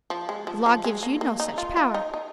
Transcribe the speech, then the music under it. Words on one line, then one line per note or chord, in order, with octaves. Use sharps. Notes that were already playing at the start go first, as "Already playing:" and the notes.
The law gives you no such power.
F3
G#3
F3
F3
G#3
A#3
A#3
D#4
F4
F4
D#4
D#4